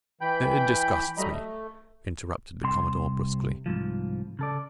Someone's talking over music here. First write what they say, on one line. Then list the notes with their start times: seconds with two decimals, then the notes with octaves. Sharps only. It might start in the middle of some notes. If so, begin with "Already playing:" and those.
"It disgusts me," interrupted the commodore brusquely.
0.21 E3 G5 B5 G6
1.17 F#3 G3 A3 D#5 A#5 B5
1.31 A3
2.63 C2 C3 C6
3.66 C2 G#2 F3
4.39 C#3 A4 D5